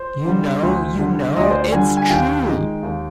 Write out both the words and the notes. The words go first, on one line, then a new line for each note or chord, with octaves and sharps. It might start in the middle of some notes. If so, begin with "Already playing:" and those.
You know, you know, it's true!
Already playing: C5
D3 G3
D2
D3 G3
D2 D#5
D5
C5
D5
D3 G3 G#5
G#5
D#2 G5
D#3 G#3
D#2